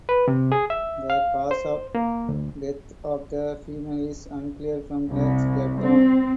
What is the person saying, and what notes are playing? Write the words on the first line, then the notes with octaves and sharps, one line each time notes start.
The cause of death of the female is unclear from her skeleton.
B4
C3
G#4
E5
F5
C5
A#3
D2
C2
C4